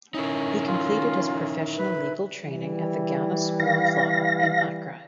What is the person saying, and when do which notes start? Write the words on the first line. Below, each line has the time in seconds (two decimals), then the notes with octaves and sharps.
He completed his professional legal training at the Ghana School of Law in Accra.
0.14 C#4 D#4 E4 A#4
0.67 F4
1.77 B4
2.47 E3 G3
3.60 F5 A#6